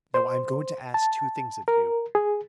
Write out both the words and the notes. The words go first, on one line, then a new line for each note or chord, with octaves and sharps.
"Now I am going to ask two things of you."
C5
A5
A#4
G#4